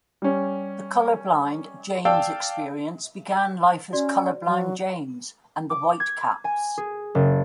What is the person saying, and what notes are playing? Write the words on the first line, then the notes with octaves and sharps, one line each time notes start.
The Colorblind James Experience began life as Colorblind James and The White Caps.
G3 C#4
D5 F5 G5 A5 E6
C#4 F#4 D5
F#3
D6
G#6
G#5
G#4
F#1